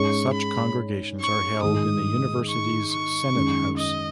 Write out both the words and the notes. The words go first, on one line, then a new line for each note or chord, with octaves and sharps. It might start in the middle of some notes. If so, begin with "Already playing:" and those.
Such Congregations are held in the University's Senate House.
Already playing: G#2 G#3 C#4 G#4 C#5 C#6
B5
C#6
G#2 D#3 G#3 D#6
C#6
C#6
F#2 D#3 G#3 C#4
D#5